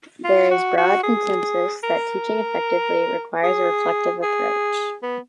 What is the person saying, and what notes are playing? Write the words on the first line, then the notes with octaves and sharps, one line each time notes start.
There is broad consensus that teaching effectively requires a reflective approach.
F4
F#4
F#4
G#4
A#4
G#4
G#4
B3